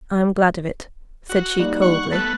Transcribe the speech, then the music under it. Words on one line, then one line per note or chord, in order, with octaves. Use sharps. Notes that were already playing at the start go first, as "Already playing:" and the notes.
'I am glad of it,' said she, coldly.
F#4
G3 A#3 D#4
F#5 C#6
A3 B3 F#6 A6